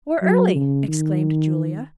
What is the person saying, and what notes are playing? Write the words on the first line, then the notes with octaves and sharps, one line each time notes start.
"We're early!" exclaimed Julia.
F#3
C#3
D#3